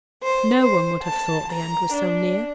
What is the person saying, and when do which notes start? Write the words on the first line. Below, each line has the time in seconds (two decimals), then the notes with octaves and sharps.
No-one would have thought the end was so near.
0.22 C5
0.58 C5
1.03 A5
1.51 A#5
1.91 D4